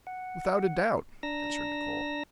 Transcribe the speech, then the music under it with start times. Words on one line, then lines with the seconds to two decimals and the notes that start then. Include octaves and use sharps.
"Without a doubt!" answered Nicholl.
0.07 F#5
1.23 D4 A#5 E6 A#6